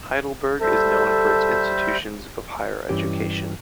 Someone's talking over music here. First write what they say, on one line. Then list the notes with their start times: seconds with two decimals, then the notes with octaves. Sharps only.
Heidelberg is known for its institutions of higher education.
0.61 G3 A4 C5 E5
2.89 G2 E3 C#4 G4